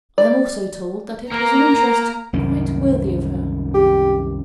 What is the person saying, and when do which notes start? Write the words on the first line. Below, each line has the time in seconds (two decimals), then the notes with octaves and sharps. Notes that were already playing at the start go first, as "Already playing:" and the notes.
I am also told that it was an interest quite worthy of her.
0.18 D5
1.32 A#3 A#4 A#5
2.33 C2 F#2 D#3
3.74 G4